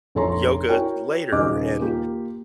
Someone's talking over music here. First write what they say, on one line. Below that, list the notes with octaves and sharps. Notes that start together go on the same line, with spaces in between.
yoga later and
F1 A#1 A4 C#5 A#5 C6
E4 F#4 A#4 C#5 G5
D#1 C#3 D#4 D#5 D6
A#3 F4 G4